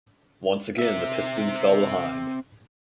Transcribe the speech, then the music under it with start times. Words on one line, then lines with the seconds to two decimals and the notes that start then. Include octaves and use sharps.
Once again, the Pistons fell behind.
0.78 C4 E5